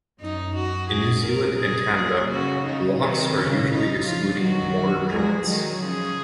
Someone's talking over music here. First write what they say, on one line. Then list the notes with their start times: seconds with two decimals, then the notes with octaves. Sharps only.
In New Zealand and Canada, blocks are usually excluding mortar joints.
0.20 F#2 D#4
0.56 F#4
0.90 F#2 G#4
1.26 F#2 A#4
1.61 G#4
1.96 A#2
2.30 C#3 F#4
2.65 C#3 D#4
3.00 C3 D#3 C4
3.35 C#3 C#4
3.70 D#4
4.05 C#3 F3 F4
4.40 D#3 F#3 F#4
5.10 F3 G#3 G#4
5.45 D#3 F#3
5.80 C#3 F3 G#4